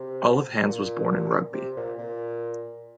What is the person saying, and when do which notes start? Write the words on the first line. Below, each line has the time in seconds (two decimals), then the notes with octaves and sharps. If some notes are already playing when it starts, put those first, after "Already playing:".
Olive Hands was born in Rugby.
Already playing: C3
0.65 A#2
1.53 C3
1.77 A#2
1.98 A#2